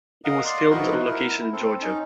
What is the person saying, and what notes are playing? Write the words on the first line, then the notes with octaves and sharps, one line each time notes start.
It was filmed on location in Georgia.
A#4 D#5 F5 F#5
D5 C6
F3 D#4 E4 F#4 A#4 B4
E4 A#4
C4 A4
C#4 D#4